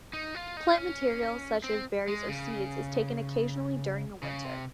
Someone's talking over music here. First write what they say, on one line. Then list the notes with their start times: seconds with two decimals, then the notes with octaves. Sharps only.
Plant material, such as berries or seeds, is taken occasionally during the winter.
0.13 D#4
0.35 F4
0.57 D#4
0.78 C#4
1.64 C4
2.08 G#3
2.29 C#3
4.23 C#3
4.44 C3